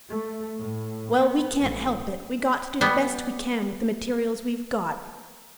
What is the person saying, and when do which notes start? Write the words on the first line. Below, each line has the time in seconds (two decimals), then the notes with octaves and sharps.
Well, we can't help it; we got to do the best we can with the materials we've got.
0.10 A3
0.59 A2
1.18 B3
1.62 A1
2.81 G3 B3